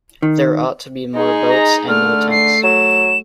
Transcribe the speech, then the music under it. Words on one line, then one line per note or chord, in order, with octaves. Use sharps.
There ought to be more boats and no tents.
D#3
G#3 D#4 G#4
A#5
D3 A3 F6
C7
F#3 E7